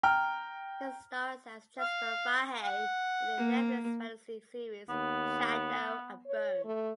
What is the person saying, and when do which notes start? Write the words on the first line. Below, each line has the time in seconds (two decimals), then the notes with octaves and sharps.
He stars as Jesper Fahey in the Netflix fantasy series "Shadow and Bone".
0.03 G5 A#5 F6
1.80 F5
2.63 F#5
3.38 A#3
4.89 D#2 B3
6.27 C#5
6.65 A3